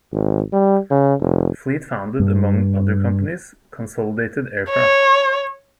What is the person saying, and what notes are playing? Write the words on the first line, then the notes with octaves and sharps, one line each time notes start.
Fleet founded, among other companies, Consolidated Aircraft.
G#1
G3
C#3
F1
G2
C#5